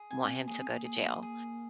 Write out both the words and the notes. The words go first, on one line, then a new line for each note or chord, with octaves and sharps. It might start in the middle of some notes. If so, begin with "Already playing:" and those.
want him to go to jail,
Already playing: G#4
C4 G#5
A#3 G#4
C4
A#3
G#4
G#4